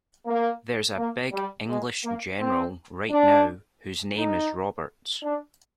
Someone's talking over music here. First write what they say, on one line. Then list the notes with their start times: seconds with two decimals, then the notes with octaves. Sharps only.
There's a big English general right now whose name is Roberts.
0.26 A#3
0.97 A#3
1.32 G3
1.68 G#3
2.03 A#3
2.39 C4
3.10 D4
4.16 D#4
5.22 D4